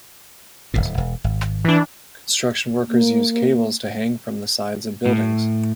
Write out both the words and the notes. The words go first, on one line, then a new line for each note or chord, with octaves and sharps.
Construction workers use cables to hang from the sides of buildings.
D1 G1 A2
E1
G#1
E3 D4
A#3
A2